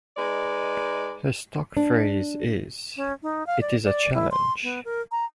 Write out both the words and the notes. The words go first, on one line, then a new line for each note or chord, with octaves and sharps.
Her stock phrase is It is a challenge.
G#3 D#4 B4 D5
D4
C#4
D#4
F5
D5
D5
E4
C6
B3
A#4
A#5